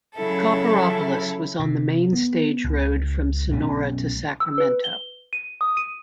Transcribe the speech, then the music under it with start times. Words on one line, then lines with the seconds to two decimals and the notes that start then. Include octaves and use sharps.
Copperopolis was on the main stage road from Sonora to Sacramento.
0.16 C#3 F#3 C#4 E4 A4
1.60 C3
2.13 B3
2.64 C#2
3.51 B1 B2 A3 C#4
4.40 E6
4.58 B4
4.84 G7
5.33 D#7
5.61 D#6
5.77 D#7